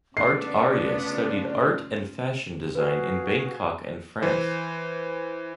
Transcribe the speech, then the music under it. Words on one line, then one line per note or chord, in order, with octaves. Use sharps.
Art Arya studied art and fashion design in Bangkok and France.
C#3 A3 B3 D4 F4 C7
F#4 G#4 B4 F5
E3 C5